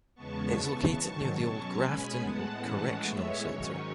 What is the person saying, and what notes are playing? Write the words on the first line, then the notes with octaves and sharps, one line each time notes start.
It is located near the old Grafton Correctional Centre.
E2 C#3 G#3 B3 A5 C#6
C#3 E3 B3
G#2 D#3 F#3
B2 F#3 C#4
B2 G#3 C#4 G#5 B5
A2 G#3 B3 F#5 A5
A2 E3 G#3 C#4
A2 G#3 B3 C#5 E5
G#2 D#3 F#3 C#4 C#5